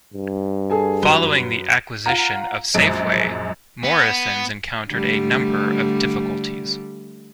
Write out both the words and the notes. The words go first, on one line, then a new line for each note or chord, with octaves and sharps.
Following the acquisition of Safeway, Morrisons encountered a number of difficulties.
G2
G#4 A4 G#5
F#2 B4 G7
F4 F5 F#5 A#5
A#1 F#2 G#3 D7
B3
D3 G3 A3